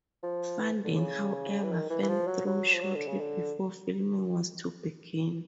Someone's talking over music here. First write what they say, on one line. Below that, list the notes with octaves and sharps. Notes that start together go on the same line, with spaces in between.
Funding however fell through shortly before filming was to begin.
F3
E3
D3
C#3
E3
D#3
E3
E3
F3
F#3
F#3
F3
F#3
D3
C#3
D3